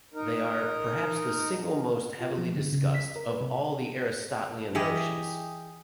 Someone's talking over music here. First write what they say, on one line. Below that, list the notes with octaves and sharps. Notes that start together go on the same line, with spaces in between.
They are "perhaps the single most heavily discussed of all Aristotelian notions".
D#4 A#4
F4
F3
D3
C#3
B6
A#4
B4
C3
E3 G4 G#4 D#5